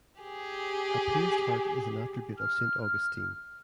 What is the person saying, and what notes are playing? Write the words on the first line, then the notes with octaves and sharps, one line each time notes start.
A pierced heart is an attribute of Saint Augustine.
G4 G#4
F6